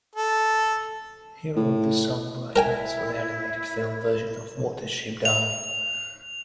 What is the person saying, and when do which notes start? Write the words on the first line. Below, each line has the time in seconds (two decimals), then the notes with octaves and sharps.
He wrote the song "Bright Eyes" for the animated film version of "Watership Down".
0.15 A4
1.56 A2
2.56 E4 A#4 G5 G#5
5.25 F7